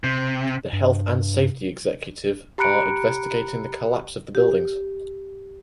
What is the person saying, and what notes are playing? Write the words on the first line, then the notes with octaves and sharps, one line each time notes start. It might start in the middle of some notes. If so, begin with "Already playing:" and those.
The Health and Safety Executive are investigating the collapse of the buildings.
C3
G2
G4 A#5 B5 F#6 C#7 D7
G4